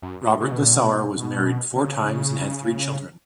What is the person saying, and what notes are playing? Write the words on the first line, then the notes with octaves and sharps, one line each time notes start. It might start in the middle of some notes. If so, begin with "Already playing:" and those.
Robert Lissauer was married four times and had three children.
F#2
A#2
C#3
B2
A#2
B2
B2
C#3